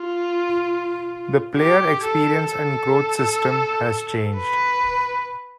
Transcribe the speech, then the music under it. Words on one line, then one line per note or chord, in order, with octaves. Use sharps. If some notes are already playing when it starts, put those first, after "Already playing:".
The "Player Experience and Growth System" has changed.
Already playing: F4
G4
A4
A4
B4